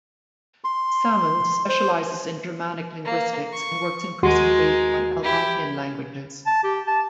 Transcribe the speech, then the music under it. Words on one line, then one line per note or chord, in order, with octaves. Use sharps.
Salmons specializes in Germanic linguistics and works increasingly on Algonquian languages.
C6
C5
A#3
C#6
D#2 G#3 F#4 A#4 C6
E4 G4
A5
G4
A5